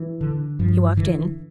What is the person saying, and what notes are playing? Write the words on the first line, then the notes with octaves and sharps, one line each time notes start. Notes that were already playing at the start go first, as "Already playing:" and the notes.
He walked in.
Already playing: E3
D3
G2 F3
D3 E3